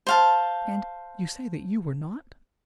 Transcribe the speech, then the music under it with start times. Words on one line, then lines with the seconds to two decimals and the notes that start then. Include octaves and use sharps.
"And--you say that you were not?"
0.07 C5 F5 A5